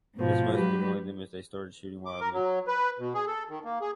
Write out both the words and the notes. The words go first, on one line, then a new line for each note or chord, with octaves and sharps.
This must have annoyed them as they started shooting wildly.
G#2 B2 F3
F#3 G#3 G4 B4
D6
A#4
F#3
B4
B2
G#4
A4
D#3
A#3
G#4